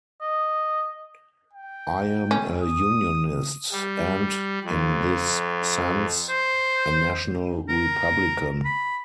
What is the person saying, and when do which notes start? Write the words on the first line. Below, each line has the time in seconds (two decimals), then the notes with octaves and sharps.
I am a unionist, and, in this sense, a national republican.
0.21 D#5
1.53 G5
2.31 C#4
2.62 D#6
3.72 G3
4.64 F2
6.29 C5
7.69 A#4
8.65 B5